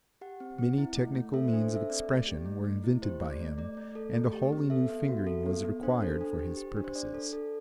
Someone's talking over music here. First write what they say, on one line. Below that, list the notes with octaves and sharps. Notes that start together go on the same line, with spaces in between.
Many technical means of expression were invented by him, and a wholly new fingering was required for his purposes.
G4 F#5
C4
C4
E4
A3
A3
A4 E5
C5
D4
C5
A4 E5
C4 D5
A3
G4
A3
A3
E4
G4 C5
A3
D5
A3
A3 D5
A3
A4
A3
G4
C4
A4 E5
B3
F#4
A4
B3
B3
D4 C5
A4
D4
G4
G4
D4
C5
D4 D5
A4
A4